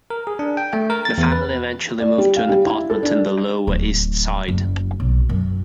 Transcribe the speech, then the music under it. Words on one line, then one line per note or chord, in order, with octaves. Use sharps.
The family eventually moved to an apartment in the Lower East Side.
A#4
G#4
D4
G5
A3
A#4
A6
E2
B4
D5
G3
F5
G3
E4
A4
D4
D1
F#1
B1
F#2